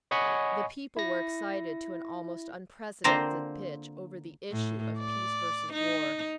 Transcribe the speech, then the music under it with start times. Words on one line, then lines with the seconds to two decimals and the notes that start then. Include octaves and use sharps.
The people were excited to an almost unprecedented pitch over the issue of peace versus war.
0.11 C#5 D#5 F#5 G#5 B5 C#6
0.97 E4 A#6
3.04 D3 A#3 C4 F4 A#4 C5
4.51 A2
4.99 D5
5.73 D#4